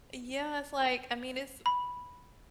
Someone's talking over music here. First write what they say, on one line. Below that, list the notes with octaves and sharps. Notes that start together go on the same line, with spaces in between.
Yeah, it's like, I mean, it's
B5